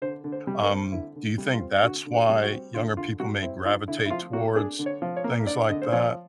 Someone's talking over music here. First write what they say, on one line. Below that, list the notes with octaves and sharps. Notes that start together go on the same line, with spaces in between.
Um, do you think that's why younger people may gravitate towards things like that?
D3 C5
D3
C5
G3
A#4
C4
D3 E4
D3
G3
F4
C4
D3 F#4
D3
F#4
G3
F#4
C4
D3 F4
D3 F4
G3 F#4
C4 E4
D4 F4
D3 E4
E4
F3 F4
A#3 F#4
D4 G#4
D3
C#5
F3
C#5
A#3
D4 D5
D3 D#5
C5
F3 C#5